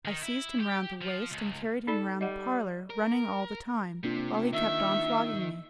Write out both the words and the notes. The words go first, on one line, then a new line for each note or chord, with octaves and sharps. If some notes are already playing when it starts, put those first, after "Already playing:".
I seized him round the waist and carried him round the parlour, running all the time, while he kept on flogging me.
D#3
E4
G4
F3
C#2
D#4 A4 D5 B5
G3 D#5 F#5
A#4
C3 A#3 D4 F4
D#3 E5